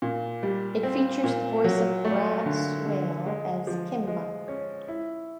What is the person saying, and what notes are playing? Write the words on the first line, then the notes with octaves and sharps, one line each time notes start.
It features the voice of Brad Swaile as Kimba.
A#2
G3
C4
A#2
F#3
A3
D3
D3
G#3
F3
G#3
C#4
E4